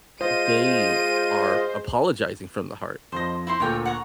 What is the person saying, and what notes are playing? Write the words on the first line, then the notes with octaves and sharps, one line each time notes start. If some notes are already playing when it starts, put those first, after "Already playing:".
they are apologizing from the heart,
G#3 F4 C5 D#5 D#7
F2 F3 C5 D#5 A#6
E4 C5 C6
D2 A#2 A4 A#4 C#5 G5
F#5 A#5 C#6